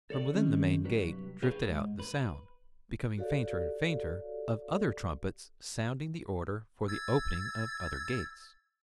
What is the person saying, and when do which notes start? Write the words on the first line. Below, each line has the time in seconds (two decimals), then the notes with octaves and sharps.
From within the main gate drifted out the sound, becoming fainter and fainter, of other trumpets sounding the order for the opening of other gates.
0.10 A4 C#5 D5
0.34 D#3 C4 C#4 G#4
0.84 C2 G2 F#3 G4 B4
1.42 G4 G#4 B4 C#5 F5 G5
1.66 G#2
2.00 B4
3.18 F#4 G4 A4 C#5 D5 F5
6.88 E6 G#6 A6